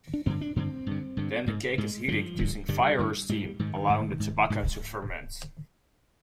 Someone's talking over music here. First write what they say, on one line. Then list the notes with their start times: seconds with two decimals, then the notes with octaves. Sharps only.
Then the cake is heated using fire or steam, allowing the tobacco to ferment.
0.14 D4
0.26 G2 D3 C4
0.41 D4
0.56 G2 D3 C4
0.87 G2 D3
1.17 G2 D3
1.47 G#2
1.78 G#2 G#3
2.08 G2 D3 F3
2.39 G2 D3
2.69 G2 D3 G3
2.99 G2 D3
3.29 G#2 G3
3.59 G#2 D#3
3.90 G#2
4.20 G#2
4.50 G#2